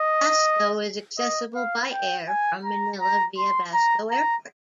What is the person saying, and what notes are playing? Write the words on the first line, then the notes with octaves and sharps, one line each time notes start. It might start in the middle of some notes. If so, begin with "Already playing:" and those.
Basco is accessible by air from Manila via Basco Airport.
Already playing: D#5
D#5
F5
G5
G#5
A#5
A#5
C6
A#5
A#5